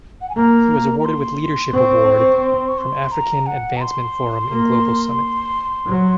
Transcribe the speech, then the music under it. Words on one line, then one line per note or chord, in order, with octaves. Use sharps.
He was awarded with leadership award from African Advancement Forum in global Summit.
F#5
G#5
A#3 A#5
A#5
C6
C4 C#6
C6
C#6
C6
A#5
F#5
A#5
C6
A#3
F#3